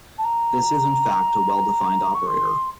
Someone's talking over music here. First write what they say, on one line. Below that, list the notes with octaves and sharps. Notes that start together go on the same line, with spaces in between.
This is in fact a well-defined operator.
A5
A#5
C#6
C6